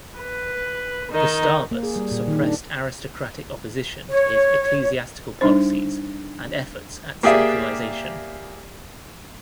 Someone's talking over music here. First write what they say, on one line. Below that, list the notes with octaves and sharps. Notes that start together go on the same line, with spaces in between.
Gustavus suppressed aristocratic opposition to his ecclesiastical policies and efforts at centralisation.
B4
D#3 D#4
A#3
G#4
G3
A#2
D#3
D4
C#5
G3 D4 D#4 C5
A#3 G4 G#4 D5 E5